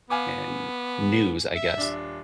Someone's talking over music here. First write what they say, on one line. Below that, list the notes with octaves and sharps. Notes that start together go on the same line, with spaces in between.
erm, news, I guess,
B3 F5 G#5 D6
E5
D#1 D4